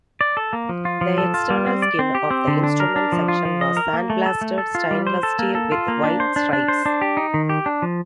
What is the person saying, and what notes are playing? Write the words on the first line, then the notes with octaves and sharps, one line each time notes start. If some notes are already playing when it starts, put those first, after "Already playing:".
The external skin of the instrument section was sandblasted stainless steel with white stripes.
D5
A4
A#3
F3
F4
F3
A4
F4
G3
C4
D5
C4
G4
C4
D3
D4
A#4
D4
F3
F4
F3
D#5
A#4
A#3
A3
A4
A3
A4
F4
G3
C5
A4
A#3
A4
F4
A#3
D4
C5
D4
D4
C5
D4
G4
D#4
D#3
G4
D4
F3